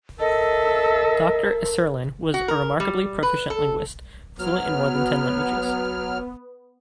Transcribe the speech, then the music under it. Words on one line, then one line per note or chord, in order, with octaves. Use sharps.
Doctor Isserlin was a remarkably proficient linguist, fluent in more than ten languages.
A4 A#4 D#5 E5
F#4
A#4
G3
B4
A4
F#3 B3 F6